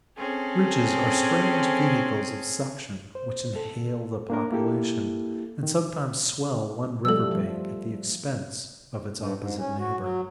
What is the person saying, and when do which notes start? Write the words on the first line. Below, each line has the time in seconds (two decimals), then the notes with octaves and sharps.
Bridges are strange vehicles of suction, which inhale the population, and sometimes swell one river-bank at the expense of its opposite neighbour.
0.17 C4 C#4 G#4 A4
3.15 C5
3.56 A4
4.30 A#3 D4 A#4
4.52 A#3 E4 G4 A4
5.63 D#3
7.05 F3 G3 A3 A4 E6
7.31 F3
9.15 G2
9.35 G#2
9.58 C#4
9.78 F#4
9.97 F#3